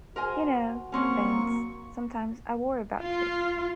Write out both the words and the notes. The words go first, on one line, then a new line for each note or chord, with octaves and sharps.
You know, Vince, sometimes I worry about you.
F#4 A#4 C5 G#5
F#3 A#3 C4 C#4 C#6
F4